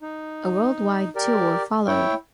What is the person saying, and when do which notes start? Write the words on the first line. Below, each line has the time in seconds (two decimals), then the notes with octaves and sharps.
A worldwide tour followed.
0.01 D#4
1.16 G4 A#4 D5
1.87 E4 C#5 G5